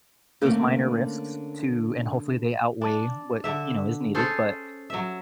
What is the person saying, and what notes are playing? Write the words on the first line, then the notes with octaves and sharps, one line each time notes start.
those minor risks to, and hopefully they outweigh what, you know, is needed, but,
D3 A3 A#3 C4 C#4
D4
D3 E5
C#4 G#4 A4 C5
F#3 E5